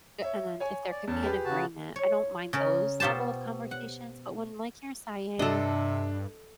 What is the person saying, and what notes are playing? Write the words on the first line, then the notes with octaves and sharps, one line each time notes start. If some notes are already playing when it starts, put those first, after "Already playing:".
a and then if there can be an agreement, I don't mind those level of conversations, but when, like you're saying,
C#5 E5
C#5 G#5
D5
E2 C#4 A5
G4 G#4 B4
C#3 F#4 A5
C#5
C#3 C#4 A#4
B2 F4 G4 C5 A5
F#5
G2 C3 D4 A4 D#5